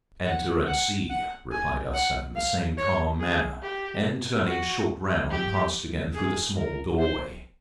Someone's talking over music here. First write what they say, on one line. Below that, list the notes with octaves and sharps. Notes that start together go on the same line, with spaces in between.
"Enter and see," replied Arsat, in the same calm manner, and turning short round, passed again through the small doorway.
F#5
F#5
F#5
G#5
F#5
F5
C#5
G#4
G4
F#4
G4
G#4
A#4
C5